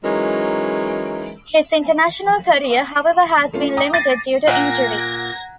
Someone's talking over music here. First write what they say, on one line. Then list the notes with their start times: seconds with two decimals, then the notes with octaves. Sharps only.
His international career however has been limited due to injury.
0.04 E3 F#3 G#3 C#4 D#4 A#4
3.53 A3 C#4 F4
3.77 G5 A#5 D6 D#6
3.93 D6 A6 A#6 C7 D#7
4.47 A#2 F#5 A#5 F#6 G#6 A#6